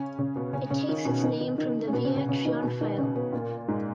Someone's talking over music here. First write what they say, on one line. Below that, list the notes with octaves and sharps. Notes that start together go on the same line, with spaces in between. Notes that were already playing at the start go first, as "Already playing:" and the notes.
It takes its name from the Via Trionfale.
Already playing: C#3 C#4
C#3 C#4
B2 B3
C#3 C#4
C#3 C#4
D#3 D#4
B2 B3
D#3 D#4
D#3 D#4
D#3 D#4
C#4
B2 B3
C#3 C#4
C#3 C#4
C#3 C#4
D#3 D#4
B2 B3
D#3 D#4
C#3 C#4
B2 B3
A#2 A#3
G#2 G#3